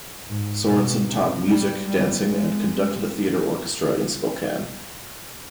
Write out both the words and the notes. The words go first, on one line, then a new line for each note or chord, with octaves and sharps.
Sorenson taught music, dancing and conducted a theater orchestra in Spokane.
G#2
B2
C3
G3
G3
G#3